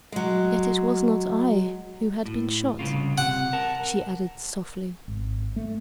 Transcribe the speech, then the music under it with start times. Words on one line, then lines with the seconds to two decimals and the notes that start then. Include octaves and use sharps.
"Yet it was not I who had been shot," she added softly.
0.12 F#3 G#3
2.26 A2
2.79 C2 C#3 F4
3.18 C3 F#5
3.53 A#4 A5
5.08 G#1
5.56 A3